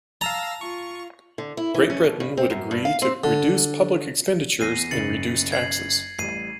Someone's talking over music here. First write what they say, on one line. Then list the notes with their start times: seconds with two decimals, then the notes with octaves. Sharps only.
Great Britain would agree to reduce public expenditures and reduce taxes.
0.21 F5 A5 A#5 E6 A#6
0.61 F4 C#6
1.38 D3
1.57 E4
1.74 E3
1.90 C#4
2.04 B2
2.20 G2
2.37 C4
2.50 F#2
2.71 G2
2.85 F5
3.02 C4
3.24 D3
4.61 E2 A#6 C7 D#7
4.91 F#1 C#3 A6 C#7 F#7
5.52 G#6 C7 F#7
6.19 A1 G3 C7 D#7